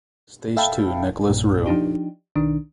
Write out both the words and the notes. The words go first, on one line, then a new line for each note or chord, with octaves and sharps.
Stage two Nicolas Roux.
A4 E5 F5 G5 A5 B5
B1 G2 A#2
F3 D4 D#4 G4
B1 D#3 D4